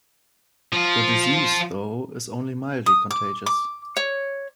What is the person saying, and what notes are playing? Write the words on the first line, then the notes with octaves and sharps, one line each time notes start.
The disease, though, is only mildly contagious.
F3 F4
D#6
D6
D6
C#5